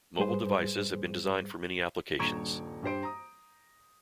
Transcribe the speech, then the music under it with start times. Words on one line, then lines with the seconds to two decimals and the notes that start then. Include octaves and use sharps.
Mobile devices have been designed for many applications.
0.19 G#2 G3 G#4 B4 C5
2.19 D#1 G2 A#5 C#6 G#6 D7
2.83 G2 G4 C5 D7
3.03 A#5 D#6